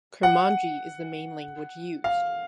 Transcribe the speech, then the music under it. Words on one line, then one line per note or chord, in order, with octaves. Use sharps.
Kurmanji is the main language used.
F#5
F5